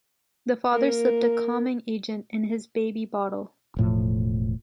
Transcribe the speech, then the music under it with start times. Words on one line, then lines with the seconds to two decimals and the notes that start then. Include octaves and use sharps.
The father slipped a calming agent in his baby bottle.
0.71 A#3 A#4
3.77 E1 A2 F3